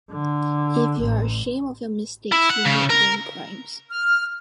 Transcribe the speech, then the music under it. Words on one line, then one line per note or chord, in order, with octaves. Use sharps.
If you are ashamed of your mistakes, you make them crimes.
D3
A1
E4
F#5
C#3
A#4
F6